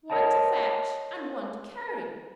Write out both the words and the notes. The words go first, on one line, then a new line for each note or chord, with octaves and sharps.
One to fetch, and one to carry.'
A#4 C#5 D#5 G5 A5